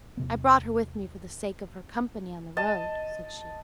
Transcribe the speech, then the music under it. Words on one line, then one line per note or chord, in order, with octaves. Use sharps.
"I brought her with me for the sake of her company on the road," said she.
E2 C3 B3
D#5 A5